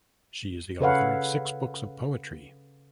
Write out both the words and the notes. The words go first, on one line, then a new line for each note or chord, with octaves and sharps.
She is the author of six books of poetry.
C#3 A4 B4 C#5 F5 F#5